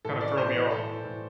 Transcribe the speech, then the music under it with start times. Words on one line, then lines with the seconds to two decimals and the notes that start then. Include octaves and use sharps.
kinda throw me off.
0.05 A2 A4
0.21 E3 D5
0.38 A2 C5
0.54 E3
0.71 A2 A4
0.88 E3
1.04 A2